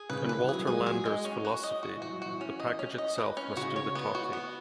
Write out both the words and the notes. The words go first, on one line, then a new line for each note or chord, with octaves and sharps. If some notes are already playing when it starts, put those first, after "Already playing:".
In Walter Landor's philosophy, The package itself must do the talking.
Already playing: G#4
C#3 B4
D#3
B4
E3
F#3 G#4
G#3 G#4
F#3
G#4
G#3
C#4
F#4
D#5
F#4
E3
F#4
F#3
E3 F#4
C#4
D#5
C#4
D#5
B4
C#4
C#3 F#4
C#5
B3
F#4
B3